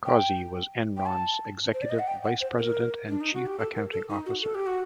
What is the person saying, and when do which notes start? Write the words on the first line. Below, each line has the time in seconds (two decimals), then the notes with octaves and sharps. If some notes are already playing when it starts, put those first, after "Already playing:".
Causey was Enron's Executive Vice President and Chief Accounting Officer.
0.06 G5
0.97 G5
1.06 A5
1.74 C5
1.82 D5
1.90 D#5
1.99 F#5
2.07 G5
2.24 F#5
2.41 C5
2.58 A#4
3.08 D4
3.21 D#4
3.34 F#4
3.46 G4
3.59 A4
3.76 A#4
3.93 A4
4.10 D#4
4.26 F#4
4.43 A4
4.55 G4
4.67 F#4